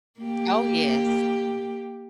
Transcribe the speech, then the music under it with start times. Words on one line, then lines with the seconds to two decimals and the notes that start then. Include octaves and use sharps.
Oh, yes.
0.20 A#3 G4